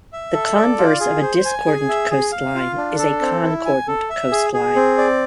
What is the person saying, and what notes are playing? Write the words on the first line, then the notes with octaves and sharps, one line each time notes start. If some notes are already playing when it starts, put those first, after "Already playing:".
The converse of a discordant coastline is a concordant coastline.
E5
A4
D5
F4
G#4
C5
G#5
G#4
E5
G#4
F5
F4
D4
A4
C4
E4
G#5
A4
E5
G#4
G#4
C4
D5